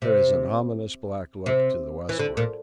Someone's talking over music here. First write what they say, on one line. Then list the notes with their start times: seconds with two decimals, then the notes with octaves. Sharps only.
There is an ominous black look to the westward.
0.02 C3
1.46 C3
2.09 E3
2.19 D3
2.37 A#2